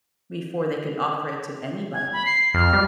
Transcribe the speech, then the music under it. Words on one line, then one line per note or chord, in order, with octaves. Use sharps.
before they could offer it to anybody.
G#6
B5
C7
F2 F6
G3